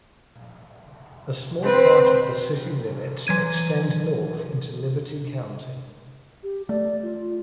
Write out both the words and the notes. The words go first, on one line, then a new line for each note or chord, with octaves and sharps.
A small part of the city limits extend north into Liberty County.
C4 B4
E3 F#3 G#6 D#7
G4
A3 D5
F4